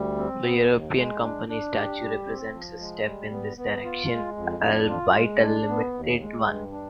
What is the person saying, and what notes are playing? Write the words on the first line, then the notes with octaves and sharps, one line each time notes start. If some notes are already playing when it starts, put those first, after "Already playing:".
The European Company Statute represents a step in this direction, albeit a limited one.
Already playing: D2 G3
C4
B3
D#2
G#3
D4
D4
G4
G3
C4
F3
G#3
G3
B3
B3
F4
G#3
F2
D4
F4
G#3
D4
B3
D#2
G#3
G2
D4